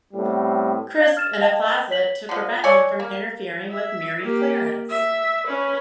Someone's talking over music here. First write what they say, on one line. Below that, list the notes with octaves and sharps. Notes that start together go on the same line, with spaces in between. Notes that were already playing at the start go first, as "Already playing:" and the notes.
Crisp in a closet to prevent him from interfering with Mary Clarence.
A2 G3 B3 C4
F5 G#6
F6 A6 E7
D#5 F5 G5 A5
C#5 B6 F#7
D3 F3
A4 C#5 D5 G#5
A#3
E5
A#3 G4
E5
C#4 B4